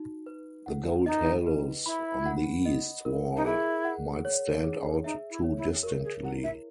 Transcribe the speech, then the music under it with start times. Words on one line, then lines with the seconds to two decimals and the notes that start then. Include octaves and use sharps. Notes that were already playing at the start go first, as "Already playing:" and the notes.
The gold halos on the east wall might stand out too distinctly.
Already playing: D#4 F#4
0.26 B4
0.66 F#5
1.06 D#4 D#5
1.46 B4
1.86 E4 B5
2.26 F#5
2.65 D#5
3.05 A#4
3.36 D#4
3.45 E4 G#4
3.85 F#5
4.25 C#5
4.64 G#4
5.04 D#4 E5
5.30 E4
5.44 C#5
5.57 E4
5.83 F#4 A#4
6.04 G#4
6.23 E4 F#5
6.44 E5